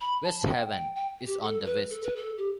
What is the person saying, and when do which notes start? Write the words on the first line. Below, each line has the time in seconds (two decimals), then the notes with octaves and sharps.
West Haven is on the west.
0.01 B5
0.24 A5
0.49 G5
0.71 G5
0.96 G5
1.27 G4
1.42 A4
1.66 B4
1.90 A4
2.03 B4
2.16 A4
2.38 G4